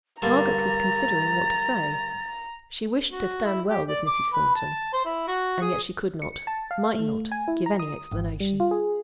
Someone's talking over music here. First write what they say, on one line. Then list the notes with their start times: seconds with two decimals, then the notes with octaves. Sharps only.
Margaret was considering what to say; she wished to stand well with Mrs. Thornton; and yet she could not, might not, give any explanation.
0.22 G2 D3 A#3 A#5 A6
3.10 F#4
3.45 E4
3.69 G4
3.88 D5
4.07 D6
4.33 B4
4.55 A5
4.93 C5
5.05 E4
5.28 F#4
5.61 G#4
6.22 C#7
6.47 A5
6.71 F5
6.95 A3
7.32 G#5
7.48 E4
7.66 A#5
7.79 D#6
8.12 G#1
8.40 G3
8.60 F4
8.71 G#4